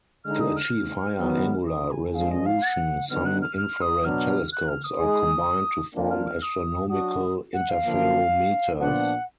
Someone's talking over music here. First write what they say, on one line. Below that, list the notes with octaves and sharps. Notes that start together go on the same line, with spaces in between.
To achieve higher angular resolution, some infrared telescopes are combined to form astronomical interferometers.
D3 G#3 D#4 F6
D#6
F6
D#3 F#3 B3
D#6
G#5
F3 G#3 D4 G#4 F5
D#5
F5
F#5
D3 F#3 B3 D#4 F6
F#6
F6
F6
D#6
B2 F#3 B3 D4 F6
F#6
F6
D#6
G#3 D#4 G#4
F3 A#3 D4 F4
F6
F6
D#6
F#3 D4 F#4 D#6
F#5
F5
D3 F3 A#3
A#2 F3 B3 D4 F#5